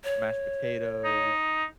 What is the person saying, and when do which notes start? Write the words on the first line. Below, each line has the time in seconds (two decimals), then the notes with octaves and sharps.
mashed potatoes.
0.04 C#5
1.05 D#4